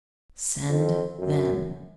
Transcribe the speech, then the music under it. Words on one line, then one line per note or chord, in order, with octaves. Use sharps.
"Send then."
F2
F#2